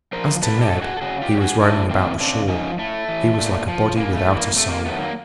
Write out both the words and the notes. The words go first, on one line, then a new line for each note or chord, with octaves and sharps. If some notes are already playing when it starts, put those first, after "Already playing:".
As to Neb, he was roaming about the shore. He was like a body without a soul.
F3 A#4 C5
A2 A4 B4
G4 A4
F#3
F#4 G#4
A4
C#3 F#4 G#4
F4 G4
F#3
F#4 G#4
A2 D4 E4
E3 A#3 C4
C#3 C4 D4
F3 C#4 D#4
A2 A3
E3
A#2
F3
C#3 A#3
A3
E3
A#3
C3 A3
A#3
D#3 F#3 A3 B3
A#3